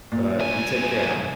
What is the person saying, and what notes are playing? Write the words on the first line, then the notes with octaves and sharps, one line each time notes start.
But, you take care now.
A#2
C2 G#5